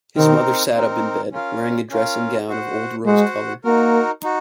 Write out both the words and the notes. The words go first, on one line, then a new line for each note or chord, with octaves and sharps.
His mother sat up in bed, wearing a dressing-gown of old-rose colour.
D#3 C4 D#4 A#4
C4 D#4 A#4
C#4 F4 A#4 F5
C#4 F4 A#4 F5
F#4 C5 F#5
G#3 F#4 C5 F#5
A#3 D#4 F#4 A#4
D#4 F#4